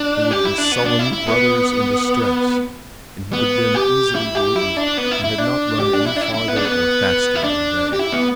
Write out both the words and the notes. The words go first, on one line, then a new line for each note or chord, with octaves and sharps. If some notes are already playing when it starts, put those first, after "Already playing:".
They would be sullen brothers in distress, and he could then easily believe he had not run any farther or faster than they.
Already playing: D4
G4
E4
D4
B3
D4
E4
E4
B3
B3
G4
E4
G4
E4
D4
B3
E4
E4
D4
G4
D4
E4
D4
E4
E4
B3
D4
B3
E4
D4
G4
E4
B3